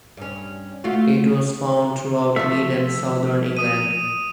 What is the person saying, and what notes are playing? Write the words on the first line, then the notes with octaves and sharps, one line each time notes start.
It is found throughout mid and southern England.
G2 C#4
A3 F4 F#4
F3 A3 E5
D#6 D#7